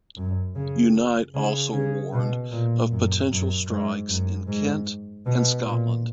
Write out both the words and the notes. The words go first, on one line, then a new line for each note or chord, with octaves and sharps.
Unite also warned of potential strikes in Kent and Scotland.
F#2
C#3
C#3
C#3
B2
A#2
F#2
F#2
G#2
F#2
G#2
B2
A#2